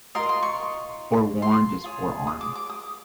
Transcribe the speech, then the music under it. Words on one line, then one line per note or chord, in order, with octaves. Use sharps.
Forewarned is forearmed.
F4 A#4 D#5 C6
C6
C#6
C6
F4 G#4 C#5
D#6
D6
D6
D#6